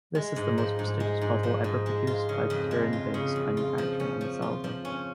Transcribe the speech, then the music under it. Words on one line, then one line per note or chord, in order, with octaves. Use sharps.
This is the most prestigious model ever produced by the Turin-based manufacturer Ansaldo.
G#3
G#2
F3
G#2
G#3
G#2
F3
G#2
G#3
F4
C#3
F2
G#3
F4
C#3
F2
F4
F3
C#4
F3
F4
F3
C#4